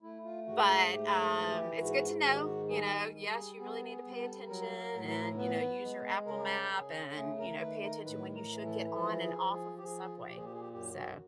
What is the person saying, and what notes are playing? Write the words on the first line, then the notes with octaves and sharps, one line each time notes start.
but, um, it's good to know, you know, yes, you really need to pay attention and, you know, you use your Apple map and, you know, pay attention when you should get on and off of the subway, so
A3 E4
F4
G#2 F#4
F#4
A3 G4
A4
E3
G4
G#2 F#4
D#3 F#4
G4
F#4
G3 G#4
G3
G#4
B3 G#4
G#4
G3
A4
F#3 A#4
A#4
A2
A#4
B3 B4
G#3
C#3 A#4
C#3 G#4
A3 G#4
A#4
D#3 B4
A#4
A2 B4
A#4
E3
A4
F3 A4
G#4
F3
G#4
G4
F3 G#4
A#2 G4
G#4
G4
G#4
G4
F#2 G4
F#4